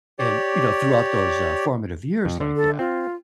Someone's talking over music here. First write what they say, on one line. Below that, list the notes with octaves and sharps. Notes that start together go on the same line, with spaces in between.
and, you know, throughout those, uh, formative years like that,
G4 C#5 D5
F2
D3
A4
C4 F4